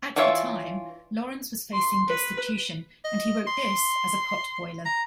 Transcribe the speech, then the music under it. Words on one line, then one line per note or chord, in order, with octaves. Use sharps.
At the time Lawrence was facing destitution and he wrote this as a potboiler.
E3 D4 F4 C#5 E5
C6
B4
D#5
C6
A#5